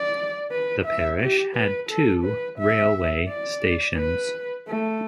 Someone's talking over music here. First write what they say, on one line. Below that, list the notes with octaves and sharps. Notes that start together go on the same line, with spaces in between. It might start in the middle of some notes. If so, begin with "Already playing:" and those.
The parish had two railway stations.
Already playing: D5
B4
E5
G4
B4
A4
B4
E5
D5
B4
A3